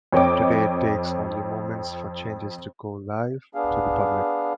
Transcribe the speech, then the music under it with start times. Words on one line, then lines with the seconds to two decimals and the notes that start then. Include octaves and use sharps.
Today it takes only moments for changes to go live to the public.
0.13 F2 C#5 D#5 G5 D6
3.55 B3 D4 G#4 F5